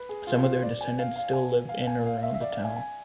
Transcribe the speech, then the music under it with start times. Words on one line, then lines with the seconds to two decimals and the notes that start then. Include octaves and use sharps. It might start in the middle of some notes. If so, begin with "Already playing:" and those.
Some of their descendants still live in or around the town.
Already playing: B4
0.09 G#4
0.27 F4
0.44 C5
0.63 D5
0.81 G#5
0.99 F5
1.16 F5
1.33 G#5
1.69 F5
1.87 G#5
2.06 F5
2.23 E5
2.34 E5
2.41 D5
2.52 F5
2.65 G#5
2.76 G#5